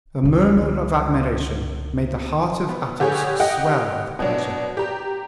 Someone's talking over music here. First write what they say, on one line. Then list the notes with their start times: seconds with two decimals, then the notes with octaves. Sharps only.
A murmur of admiration made the heart of Athos swell with pleasure.
0.23 C#2 D3
2.69 B3
3.00 D3 G4 G#4 C#5
3.40 G4 D#5 F#5 G5
4.19 B2 F#3 D4
4.77 G4 A#5